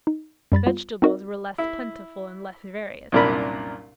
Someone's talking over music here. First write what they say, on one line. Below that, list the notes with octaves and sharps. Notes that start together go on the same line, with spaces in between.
Vegetables were less plentiful and less various.
D#4
F#2 G3 B5 A6
G3 B3 F4
C4 D#4 F#4 A#4 D#5
E4
C2 F#2 A#2 D4 A#4 B5